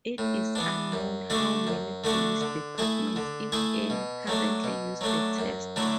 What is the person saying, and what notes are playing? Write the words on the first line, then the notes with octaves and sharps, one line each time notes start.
It is unknown how many police departments, if any, currently use the test.
A2
E3 B3 D4
F#2
D3 A3 D4 F#4
F#2
D3 A3 D4 F#4
D3
A3 E4 G#4
D3
A3 E4 G#4
B2
F#3 A3 D4
B2
F#3 A3 D4
F#2
D3 F#3 A3 E4